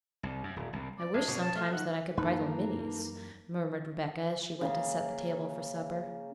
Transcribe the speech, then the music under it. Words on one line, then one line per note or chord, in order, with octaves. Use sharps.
"I wish sometimes that I could bridle Minnie's," murmured Rebecca, as she went to set the table for supper.
C2
F#2
D#1
C2
D5
B1 G#4
B2 C#4
A5
A3 F5
D#3 D#4 F#5
F#2 E3 G3 A#3 D#4 A4 B4
C#3 A#3 G#4